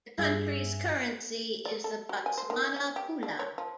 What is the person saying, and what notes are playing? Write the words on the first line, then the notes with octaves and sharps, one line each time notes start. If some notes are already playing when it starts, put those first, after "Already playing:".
The country's currency is the Botswana pula.
G2 G#4 E5
D5
A4
F#4
G#5
C5
D#3
C#4
G4
D4
C#5
F3